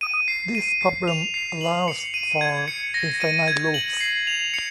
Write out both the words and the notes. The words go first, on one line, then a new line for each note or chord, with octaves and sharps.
This problem allows for infinite loops.
D#7
C7
D#7
C7
F7
C7
F#7
C#7
D#7
G#6
C#7
A#6
D#7
G#6
F#7
C7
F7
C#7